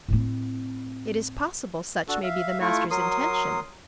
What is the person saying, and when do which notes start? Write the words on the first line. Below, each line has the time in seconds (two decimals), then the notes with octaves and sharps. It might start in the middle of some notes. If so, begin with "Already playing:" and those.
"It is possible such may be the master's intention."
0.08 A2 C4
2.08 D4 F#4 A4
2.23 E5 F5
2.61 A3 E4 F4 C#6
2.91 F#3 A#4 C6 D#6